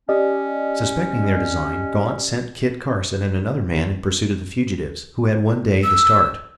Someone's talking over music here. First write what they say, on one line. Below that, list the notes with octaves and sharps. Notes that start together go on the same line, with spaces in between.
Suspecting their design, Gaunt sent Kit Carson and another man in pursuit of the fugitives, who had one day the start.
C#4 G4 D5 D#5
E6